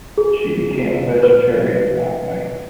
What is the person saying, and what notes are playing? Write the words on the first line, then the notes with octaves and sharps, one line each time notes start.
She became a vegetarian that night.
G#4
B4